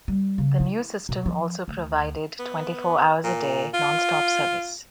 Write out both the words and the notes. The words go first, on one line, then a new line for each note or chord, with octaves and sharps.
The new system also provided twenty-four hours a day, nonstop service.
G3
C#3
E4
B2
F3
D2
B3
A#2
F4